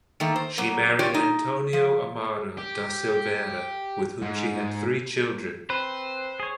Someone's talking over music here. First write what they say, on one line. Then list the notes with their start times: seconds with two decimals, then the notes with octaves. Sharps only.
She married Antonio Amaro da Silveira with whom she had three children.
0.20 D#3 A3 A#3
0.36 C5
0.58 F#3 A#3
0.99 F4 G4 C#5 D5
1.14 D#4
1.73 F3
2.59 G4
4.22 G#2
5.70 C4 B4 C5
6.40 G#4 C#5